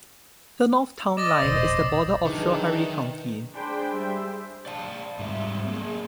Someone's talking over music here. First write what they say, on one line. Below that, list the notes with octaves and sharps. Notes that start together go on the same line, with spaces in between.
The north town line is the border of Schoharie County.
D5 D#5 D6 A6 A#6
E1 A#1 C5 D#5 E6
D#3 E3 F#3 D4 D#4 G#4
D4 G#4 C5 G5 B5
G3 G#4 C5 E5
D5 F5 A5
G#2 G3 C4 E5
A#3 G#4